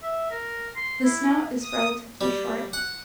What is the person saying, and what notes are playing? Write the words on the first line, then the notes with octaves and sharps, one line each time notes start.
The snout is relatively short.
E5
A#4
C6
E4
D#6
G3
F#5